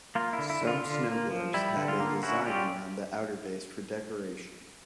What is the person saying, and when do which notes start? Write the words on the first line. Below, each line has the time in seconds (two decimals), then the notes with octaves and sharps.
Some snow globes have a design around the outerbase for decoration.
0.15 A#3 F4
0.33 E4
0.38 D3
0.50 E4
0.61 D3
0.67 F4
0.85 D3
1.07 A#3
1.31 F3
1.54 G3 E4
1.77 D3
1.88 F4
2.00 A#3
2.23 C#4 E4 F#4
2.46 G3 F4 G4